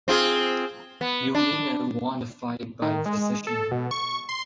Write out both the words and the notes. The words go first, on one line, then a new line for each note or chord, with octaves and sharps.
Umeno won the fight by decision.
C4 F4 G#4
B3
D4
D#3
G#3
A4
B2
C#6
C6